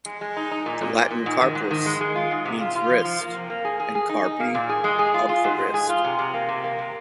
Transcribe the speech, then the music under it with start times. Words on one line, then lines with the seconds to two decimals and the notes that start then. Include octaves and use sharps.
The Latin carpus means wrist, and carpi of the wrist.
0.06 G#3
0.21 G#3
0.37 D#4
0.51 D#4
0.66 A#2
0.81 A#2
0.95 A#2
1.11 A#2
1.26 G#2
1.41 D#3
1.55 G#2
1.71 D#3
1.86 G#3
2.01 G#3
2.15 F4
2.31 G#2
2.45 C3
2.60 F4
2.75 F4
2.90 F3
3.05 F3
3.21 A#3
3.34 C3
3.50 A#3
3.65 G#4
3.80 G#4
3.95 G#4
4.09 D#4
4.25 D#4
4.40 A#3
4.55 A#2
4.69 G#4
4.84 G#3
4.99 G#4
5.14 F4
5.29 F4
5.44 G#2
5.59 G#2
5.74 G#4
5.89 F4
6.04 C3
6.19 C3
6.34 A#3
6.49 C3
6.64 A#3
6.79 C3